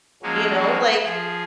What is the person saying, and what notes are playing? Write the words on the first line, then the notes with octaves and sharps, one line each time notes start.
you know, like,
F3 F#3 G#3 A#3 C#4
F3 G#4